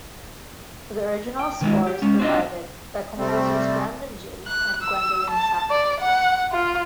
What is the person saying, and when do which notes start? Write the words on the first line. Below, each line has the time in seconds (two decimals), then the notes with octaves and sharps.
The original score is provided by composers Brandon Jay and Gwendolyn Sanford.
1.39 G5
1.61 D3 D#3 G#3 A3 D#4 E4
1.87 G4
2.02 G#3 C#4
2.19 C4 D4 F4 D#5
3.18 C3 G3 A3 C4
4.47 F#6
4.82 E6
5.30 A5
5.70 D5
6.00 F#5
6.52 F4